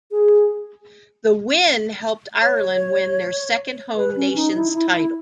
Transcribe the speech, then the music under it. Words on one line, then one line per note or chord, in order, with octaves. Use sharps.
The win helped Ireland win their second Home Nations title.
G#4
C#5
B4
C#4
D#4
E4
E4
E4